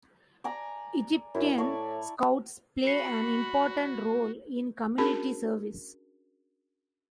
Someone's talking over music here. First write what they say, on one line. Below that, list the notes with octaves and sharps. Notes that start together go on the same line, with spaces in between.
Egyptian Scouts play an important role in community service.
D5 G#5 A#5
F#2 E4
A2 C#5 D5 A5
F#4 B5 C7 C#7
C#4 D4 F#4 G#4 A#4 A5